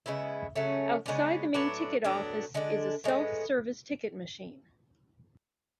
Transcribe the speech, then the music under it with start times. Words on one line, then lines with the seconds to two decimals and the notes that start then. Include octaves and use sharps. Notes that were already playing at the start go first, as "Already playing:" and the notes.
Outside the main ticket office is a self-service ticket machine.
0.06 C#3 G#3 B3 E4
0.55 C#3 F#3 A3 C#4
1.06 C#3 G#3 B3 D4
1.54 A2 F#3 B3 D4
2.05 A2 F#3 B3 D4
2.54 D3 G#3 D4
3.04 A2 G#3 B3